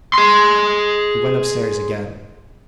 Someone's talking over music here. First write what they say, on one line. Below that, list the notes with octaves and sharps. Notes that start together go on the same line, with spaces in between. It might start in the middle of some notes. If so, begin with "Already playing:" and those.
He went up stairs again.
G#4 C6